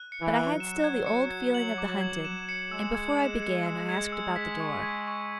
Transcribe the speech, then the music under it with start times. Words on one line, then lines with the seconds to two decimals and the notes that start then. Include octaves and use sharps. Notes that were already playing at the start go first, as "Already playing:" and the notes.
But I had still the old feeling of the hunted, and before I began I asked about the door.
Already playing: F#6
0.12 C#7
0.21 E3
0.36 F#6
0.51 F#3
0.60 E7
0.84 G#6
1.06 C#7
1.30 G#6
1.54 F#7
1.78 D6
2.01 G#6
2.25 E7
2.49 C#7
2.71 G#3 E6
2.95 G#6
3.19 E7
3.42 C#7
3.66 E6
3.89 G#6
4.12 E6
4.36 B6
4.60 C#6
4.83 G#6
5.08 C#6